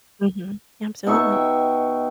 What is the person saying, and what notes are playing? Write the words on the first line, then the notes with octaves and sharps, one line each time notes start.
Mhm, absolutely.
B2 D#4 E5 C#6
G5